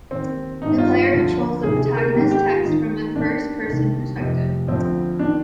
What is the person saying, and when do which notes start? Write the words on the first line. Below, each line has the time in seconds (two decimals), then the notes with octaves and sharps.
The player controls the protagonist Tex from a first person perspective.
0.11 D#2 D#3 C4
0.62 G1 G2 D#3 D#4
0.78 F4
0.95 F4
1.12 D2 D3 F3 F4
1.63 D2 C3 D#3 G#4
1.80 G#4
1.97 A#4
2.14 G#1 G#2 D#3 G4
2.31 G4
2.47 F4
2.65 D#2 D#3 D#4
3.16 D#2 D#3 D4
3.66 C2 C3 D#3
4.17 F1 F2 C3
4.68 D2 D3 F3 C4
5.19 D#3 D4